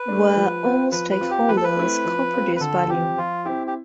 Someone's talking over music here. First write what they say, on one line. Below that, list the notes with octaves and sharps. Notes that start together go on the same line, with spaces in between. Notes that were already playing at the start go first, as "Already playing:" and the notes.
Where all stakeholders co-produce value.
Already playing: B4
A3 D4
F3
C4 F4
F3 B4
B4
C4 F4
G4
F3 B4
A4
B4
A3 C4 E4
F3
C4 F4
B4
D3 A4
F3 C4 G4
F3 F4
C4 E4 G4
G4